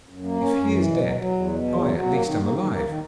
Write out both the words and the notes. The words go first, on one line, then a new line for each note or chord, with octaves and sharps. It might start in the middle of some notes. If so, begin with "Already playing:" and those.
If he is dead, I at least am alive.'
F#2
A#3
C#4
F#2
E3
B2
F#3
F#3
E2
B2
E2
F#3
F#3
A#3
D#3
A#3
D#3
A#3
D#3